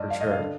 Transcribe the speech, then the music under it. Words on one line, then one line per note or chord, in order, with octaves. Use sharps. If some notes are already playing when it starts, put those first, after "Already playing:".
For sure.
Already playing: G2 D5 D#5
F5
D#5
F5
D3